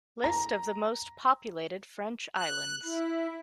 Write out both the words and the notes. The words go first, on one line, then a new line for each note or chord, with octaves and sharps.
List of the most populated French islands.
A#5
F#6
E4